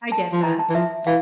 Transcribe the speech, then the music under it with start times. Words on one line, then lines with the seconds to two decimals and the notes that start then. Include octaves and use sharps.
I get that.
0.12 A5
0.32 F3
0.44 E3 A#5
0.59 A5
0.70 E3
0.75 F3 E5
1.07 E3 F5